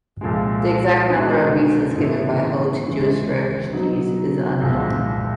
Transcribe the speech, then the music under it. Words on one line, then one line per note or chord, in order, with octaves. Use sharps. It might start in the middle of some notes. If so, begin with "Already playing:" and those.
The exact number of visas given by Ho to Jewish refugees is unknown.
C2 A#2 F3 G#3
B2 G#3 C4 D#4
A2 E3 G3 B3 E4
C#2 C3 E3 G#3
B2 F#3 B3 D#4
C2 A#2 F3 G#3